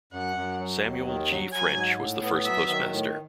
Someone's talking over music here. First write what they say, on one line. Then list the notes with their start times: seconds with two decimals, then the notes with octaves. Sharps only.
Samuel G. French was the first postmaster.
0.13 F#2 F#5
0.36 F#2
0.60 F#3
0.83 D#2
1.06 D#3
1.29 F#3
1.52 F#3 G#5
1.75 G#2
1.98 A2
2.22 B3
2.45 F#3 E5
2.68 D#3
2.92 A2